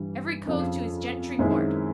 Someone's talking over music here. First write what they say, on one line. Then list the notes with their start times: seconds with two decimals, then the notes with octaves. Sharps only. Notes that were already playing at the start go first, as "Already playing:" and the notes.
Every cove to his gentry mort.
Already playing: G2 E3 G3
0.47 F2 C#3 F3
1.39 F#2 D#3 G#3 C4 E4